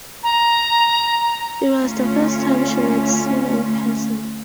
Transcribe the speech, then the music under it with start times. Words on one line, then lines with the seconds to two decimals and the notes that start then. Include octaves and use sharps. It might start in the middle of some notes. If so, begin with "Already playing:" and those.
It was the first time she met Cena in person.
0.23 A#5
1.78 D2 A3 C#4 F4